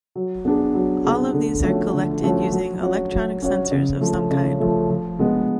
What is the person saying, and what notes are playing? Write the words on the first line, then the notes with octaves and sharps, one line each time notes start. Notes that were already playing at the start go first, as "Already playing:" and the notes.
All of these are collected using electronic sensors of some kind.
F#3
B3 D4 G#4
F#3
B3 D4 G#4
D3
F3 A3 C#4 F#4
D3
F3 A3 C#4 F#4
F#3
C#4 F#4 C#5
F#3
C#4 F#4 C#5
C#3
F3 A3
C#3
F3 A3
F3
G#3 B3